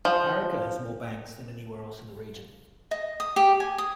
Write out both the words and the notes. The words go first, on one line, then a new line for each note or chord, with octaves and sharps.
Parika has more banks than anywhere else in the region.
F3
D#5
D#6
G4
G#5
D#6